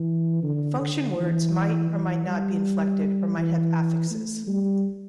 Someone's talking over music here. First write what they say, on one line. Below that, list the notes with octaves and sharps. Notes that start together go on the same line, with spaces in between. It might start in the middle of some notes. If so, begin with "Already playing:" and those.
Function words might or might not be inflected or might have affixes.
Already playing: E3
D3
D3
E3
E3
G3
E3
A3
G3